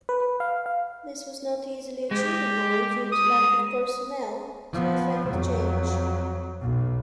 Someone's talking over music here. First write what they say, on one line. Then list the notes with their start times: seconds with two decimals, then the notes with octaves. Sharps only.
This was not easily achievable due to lack of personnel to effect change.
0.09 B4
0.40 F5
0.66 F5
2.11 G#3 G4
3.12 D#6
4.73 F3 B3
5.29 F2 F#3
6.61 B1